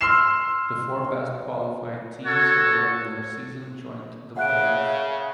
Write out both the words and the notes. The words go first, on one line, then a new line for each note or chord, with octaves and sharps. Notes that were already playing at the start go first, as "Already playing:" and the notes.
The four best qualified teams of the regular season joined the playoffs.
C6 E6 F6 C7 E7
F#4 A4 C#5
C#3 E5 F#5 F#6 D7